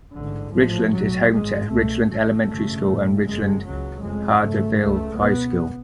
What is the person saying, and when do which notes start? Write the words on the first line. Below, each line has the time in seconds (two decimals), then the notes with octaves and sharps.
Ridgeland is home to Ridgeland Elementary School and Ridgeland-Hardeeville High School.
0.16 A1 G#2 D3
0.54 A1 F3
0.60 A2
0.93 B1 A2 F#3
1.31 G#1 G#2 G#3
1.70 C#2 B2 A3
2.09 A1 A2 A3
2.47 G#1 F#2 C#3
2.87 A1 A2
3.24 F#1 F#2 C#3 G#3
3.63 C#2 C#3 F#3
4.01 F1 F2 C#3 G#3
4.40 G#1 F#2 C#3 A3
4.78 C#2 C#3 A3
5.17 C#2 B2 B3